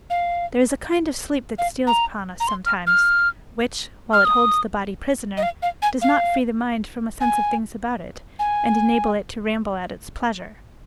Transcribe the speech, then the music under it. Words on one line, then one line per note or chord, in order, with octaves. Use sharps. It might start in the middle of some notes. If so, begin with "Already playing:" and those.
There is a kind of sleep that steals upon us sometimes, which, while it holds the body prisoner, does not free the mind from a sense of things about it, and enable it to ramble at its pleasure.
F5
F5
A#5
A#5
C6
F6
F6
F6
D#6
D#5
F5
F5
G#5
F5
G#5
G#5